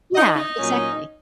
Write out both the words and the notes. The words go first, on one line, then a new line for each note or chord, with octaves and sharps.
yeah, exactly.
D#4 D#5
D#4 D#5
A#2 F#3 C#4